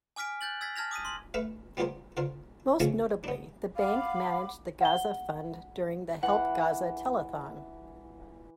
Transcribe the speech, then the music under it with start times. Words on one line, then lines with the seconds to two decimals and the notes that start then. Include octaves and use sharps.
Most notably, the Bank managed the Gaza Fund during the Help Gaza Telethon.
0.16 G#5 D6 F6 B6 D7
0.41 F#6 G6 A6 F#7
0.61 E6 G#6 A6 B6
0.76 A5 F6 G#6 A#6 F7
0.91 D6 D#6 B6 D#7
1.05 C6 F#7
1.34 A3 B4 E5 F5
1.77 G3 B3 F4 G4 A#4 C5
2.17 D3 F4 A#4 C5
2.80 D3 F3 G#3 A3 C#4 D4
3.24 B3 D4
3.76 F5 F#5 B5 D6
4.81 F#5 G7
6.23 E3 F#5